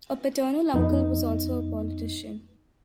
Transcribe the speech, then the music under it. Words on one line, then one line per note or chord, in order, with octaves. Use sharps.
A paternal uncle was also a politician.
F2 B3 D#4